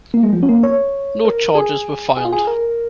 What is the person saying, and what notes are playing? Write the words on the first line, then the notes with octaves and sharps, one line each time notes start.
No charges were filed.
A#3
G#3
F3
C#4
A#3
C#5
A#4
G#4
G#4
F4
G#4
A#4